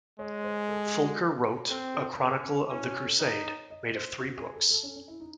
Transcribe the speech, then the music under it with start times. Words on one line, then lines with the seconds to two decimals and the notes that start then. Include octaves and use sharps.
Fulcher wrote a chronicle of the crusade, made of three books.
0.19 G#3 C#5
0.44 C5
0.69 A4
0.86 G#4
1.03 F#4
1.69 C4 A4
1.94 A4
2.19 C#4 G#4
2.70 C#4 E4
2.87 F#4
3.04 A4
3.19 D#4 C#5
3.70 D#5
3.95 C5
4.20 F#4
4.37 G#4
4.54 A4
4.70 A4
4.83 C#4
4.96 C#4
5.08 E4
5.20 D#4